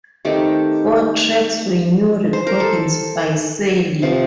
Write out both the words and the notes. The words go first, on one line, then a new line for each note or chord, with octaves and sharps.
Four tracks were new recordings by Seely.
D#3 A3 C4 G4
C5
A#4
A4
C3 F3 C4